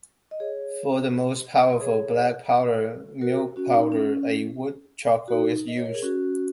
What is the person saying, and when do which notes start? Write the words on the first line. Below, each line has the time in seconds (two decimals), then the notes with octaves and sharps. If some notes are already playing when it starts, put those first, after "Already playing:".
For the most powerful black powder, meal powder, a wood charcoal, is used.
0.31 D#5
0.40 G#4 C#5
1.81 G#4 C#5
3.21 F#4 A#4
3.56 C#4 F#4
3.74 D#4
3.92 C#4
5.28 F#4
5.32 D#4
5.68 D#5
5.77 C#5
5.85 A#4
5.95 G#4
6.03 C#4 F#4